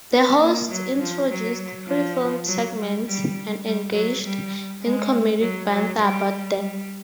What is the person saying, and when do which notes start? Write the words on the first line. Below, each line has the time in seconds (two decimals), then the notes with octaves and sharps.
The hosts introduced pre-filmed segments and engaged in comedic banter about them.
0.12 B3
0.41 A#3
0.71 F#3
1.00 F3
1.29 F#3
1.88 F3
2.47 F#3
2.77 G3
3.06 G3
3.65 G3
3.94 F#3
4.22 G3
4.82 G#3
5.40 F#3
5.70 F#3
5.99 G3
6.58 G3